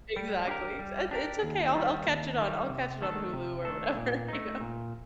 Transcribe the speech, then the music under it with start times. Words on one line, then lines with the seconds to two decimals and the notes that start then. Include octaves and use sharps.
Exactly, ex "It it's okay, I'll I'll catch it on I'll catch it on Hulu or” “whatever," you know.
0.16 G3
0.47 D4 G4 A#4
0.79 G3
1.11 D4 G4 A#4
1.43 D#2
1.75 D#3 G3
2.06 D#2
2.38 D#3 G3
2.69 C3
3.02 D#3 A3 D4 A4
3.33 C3
3.65 D#3 A3 D4 A4
3.97 A#2
4.28 A3 D#4
4.61 A#2